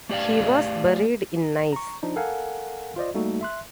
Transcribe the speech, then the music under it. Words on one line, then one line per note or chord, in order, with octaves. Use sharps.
He was buried in Nice.
A3 G4 D5 F5
A#5 C#6
F3 D4 D#4
A4 A#4 F5 F#5 G#5
F4 C5 D5 D#5
G3 A3 A#3 D#4 F#4 A4
E5 C6 F#6